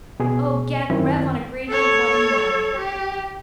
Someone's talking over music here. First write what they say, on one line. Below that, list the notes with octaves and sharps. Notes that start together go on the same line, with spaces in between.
O, get, rev on a gradient one in nine.
B2 G#4
F#2 D#3 C4 E4
A4 C#5
G4